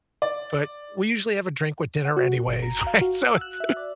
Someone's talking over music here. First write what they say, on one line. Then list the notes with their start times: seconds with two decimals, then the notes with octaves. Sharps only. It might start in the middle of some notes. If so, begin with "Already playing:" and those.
but we usually have a drink with dinner anyways, right? So it's,
0.22 D5
2.05 F#5
2.17 F#4
2.48 G1
2.62 A#5
2.87 F5
3.01 F#4
3.28 E6
3.41 F#6
3.60 E5
3.77 D5